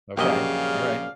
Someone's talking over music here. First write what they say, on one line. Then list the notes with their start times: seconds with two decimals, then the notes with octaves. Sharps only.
Okay. Alright.
0.17 A#1 F#2 C#3 F3 G4 D5 D#5 F5